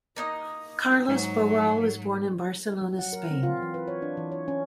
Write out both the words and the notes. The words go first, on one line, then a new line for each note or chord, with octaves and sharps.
Carlos Barral was born in Barcelona, Spain.
A#3 D#4 D#5
G#2 F#3
F#3
F#5
A#4
C4
F4
E3
B4
C#5
D4
E3
C#5
C#4